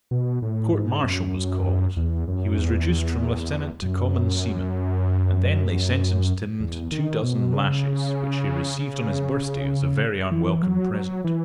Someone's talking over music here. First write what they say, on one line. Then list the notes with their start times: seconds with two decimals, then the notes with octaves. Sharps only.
A court-martial was called; he was reduced from lieutenant to common seaman, and then they sentenced him to two dozen lashes, which he received on his birthday as a very unwelcome present.
0.11 B2
0.42 A2
0.73 G#2
1.04 F#2
1.97 E2
2.28 F#2
2.58 E2
3.82 F#2
6.60 E2
6.92 D#3
7.23 B2
7.53 C#3
10.32 E3
10.62 F#3
10.93 F#3
11.24 E3